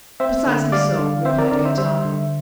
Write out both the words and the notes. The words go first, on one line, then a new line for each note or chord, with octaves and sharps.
"Precisely so," replied Gaetano.
C4 C5 E5
D3
G3 D5 F5
D3
C4 C5 E5
A#4 D5
D3 A#4 D5
C5 E5
G3 C5 E5
D3